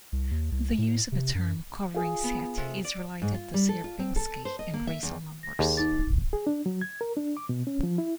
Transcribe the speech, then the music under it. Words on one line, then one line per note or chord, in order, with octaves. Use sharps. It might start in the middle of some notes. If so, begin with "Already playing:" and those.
The use of the term "covering set" is related to Sierpinski and Riesel numbers.
C2
D#2
C2
A2
C3
F#2
F4 G#4
B3
C3 A3
D5
G#2
F4
G3
A4
F4
C4
A4
C5
D#5
A#3
E5
E2
A#6
D#2 G#4
D#4 D6 A6
G#4
D4
F#3
G#6
A#4
D4
D6
B2
C#4
F3
E4